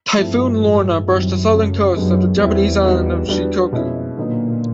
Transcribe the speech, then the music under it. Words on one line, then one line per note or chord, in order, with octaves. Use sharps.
Typhoon Lorna brushed the southern coast of the Japanese island of Shikoku.
G2 F3 A3 C4 E4
A2 F3 G#3
F#2 D#3 G3 C4 E4
C#3 F#3 A3
F#2 G#3 B3 D4 G4
E2 G3 C4 E4
G3 B3 D#4 F#4
E2 G3 B3 D4 F#4
F2 B2 G#3 C#4 E4
A#2 D3 F#3 B3 D#4